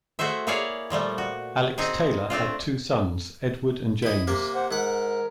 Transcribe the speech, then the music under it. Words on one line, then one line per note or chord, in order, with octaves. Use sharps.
Alex Taylor had two sons, Edward and James.
A3 F#4 G#4 C5 E5
A#3 E4 G#4 C#5 D5 F5
A#2 F3 G3 A3
F#4
C4 D#4 G#4
A3 C4 D4 F4
E4 D#5
C3 A#3 A#4
C5 F#5
G#2 A#4 F#5